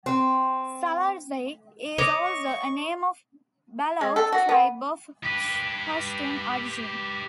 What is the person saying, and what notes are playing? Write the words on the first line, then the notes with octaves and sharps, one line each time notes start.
Salarzai is also a name of Baloch tribe of Pashtun origin.
C4
C#5 D#5 D6
C#6
G#3
A4
F#4
B3
G4 B4